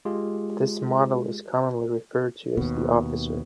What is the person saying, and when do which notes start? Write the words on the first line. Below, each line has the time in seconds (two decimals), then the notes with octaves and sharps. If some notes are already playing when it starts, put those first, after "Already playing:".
This model is commonly referred to as the "Officer".
0.05 G#3 F4 G4 G#4
2.57 D#2 B2